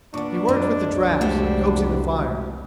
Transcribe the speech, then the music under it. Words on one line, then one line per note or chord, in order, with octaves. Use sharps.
He worked with the drafts, coaxing the fire.
A#2 B3 D4 C#6 D6
F#2 G#3
C2 F2
G#3 A3 F#4 G4 C5